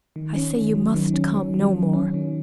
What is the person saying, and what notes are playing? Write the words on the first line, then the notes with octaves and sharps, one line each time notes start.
I say you must come no more.
D#3
C#4
D#3
F#3
D#3
C#4
D#3
F#3
D#3
C#4
D#3